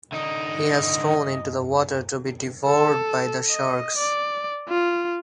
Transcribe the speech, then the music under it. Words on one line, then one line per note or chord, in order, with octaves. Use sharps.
He was thrown into the water to be devoured by the sharks.
D3 D#4 D#5
A4
D#5
D5
F4